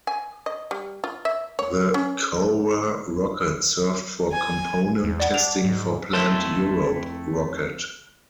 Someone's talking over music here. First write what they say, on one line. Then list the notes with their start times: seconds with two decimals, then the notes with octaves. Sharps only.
The Cora rocket served for component testing for planned Europe Rocket.
0.07 G#5
0.46 D#5
0.71 G3
1.04 F4
1.25 E5
1.59 C#5
1.94 C#4
4.33 G#5
5.04 E2
5.20 D5 F#5
5.34 D4 F7
5.65 G#2
6.13 F2 A3 E4 E5 A5 C6